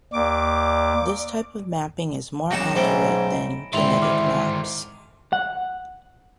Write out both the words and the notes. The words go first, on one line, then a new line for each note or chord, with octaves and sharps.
This type of mapping is more accurate than genetic maps.
D#2 D5 D6
B1 C#3 D#4 F#4 A#6 C#7 E7
G#2 A3 C4 C#4 B5 D7
G#2 D3 D#3 C4 E4 C6 F7
C6 D6 F6
F#5